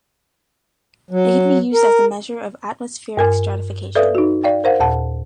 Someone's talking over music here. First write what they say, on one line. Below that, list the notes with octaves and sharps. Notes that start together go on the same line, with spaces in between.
It can be used as a measure of atmospheric stratification.
F#3
A#4
G2 A#4 G#5
A4 B4 D5 E5 F5 D#6
D#4 F#4
D5 F5 G5
A#4 C5 F5 F#5
D#2 A#2 F#5 A5